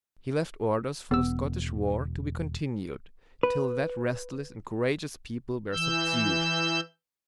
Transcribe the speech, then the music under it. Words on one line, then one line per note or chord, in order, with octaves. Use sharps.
He left orders for the Scottish war to be continued till that restless and courageous people were subdued.
E1 B3 E6
B4
E3 E6 G6